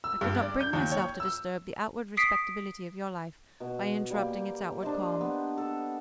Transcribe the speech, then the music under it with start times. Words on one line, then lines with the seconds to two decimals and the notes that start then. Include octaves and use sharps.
I could not bring myself to disturb the outward respectability of your life by interrupting its outward calm.
0.04 E6
0.21 G2
0.42 D5
0.61 G6
0.73 D#2
0.92 C#5
1.20 E6
2.17 D#6 B6 C7 D7
3.60 B2
4.10 G3 A#3
4.83 D4 C5 D#5
5.21 B3
5.58 A4